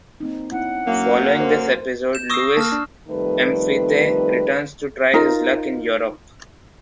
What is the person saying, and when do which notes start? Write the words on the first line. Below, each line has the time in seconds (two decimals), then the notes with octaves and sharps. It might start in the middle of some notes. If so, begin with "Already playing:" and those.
Following this episode, Louis M'Fédé returns to try his luck in Europe.
0.20 A#3 C4 D#4
0.52 B3 C#4 E4 F#5
0.87 F#2 A#3
1.38 A#4 C5
2.13 G6 E7
2.30 C#6 D#6 E6 A#6 C7
2.57 A#3 A5 D#6 F6
2.72 D4
3.09 F2 D#3 G3 A3 B4
5.13 D#4 F4 A#4